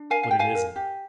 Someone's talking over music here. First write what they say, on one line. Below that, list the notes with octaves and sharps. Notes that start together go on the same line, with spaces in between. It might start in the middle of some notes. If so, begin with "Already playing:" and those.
But it isn't.
Already playing: D4
A#4 F5 G#5
F5
G4 G5
F5 G#5
A#4
G4